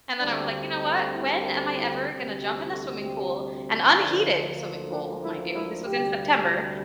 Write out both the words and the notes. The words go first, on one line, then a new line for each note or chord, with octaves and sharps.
and then I was, like, "You know what, when am I ever gonna jump in the swimming pool," an unheated swimming pool mind you this was in September
D2 D3 G3 C4 D4
E4
E4
D2 C3 G3 C4
G4
A4
G4
D2 D3 F3 A#3 D4
D4
E4
E4
D2 C3 G3 G4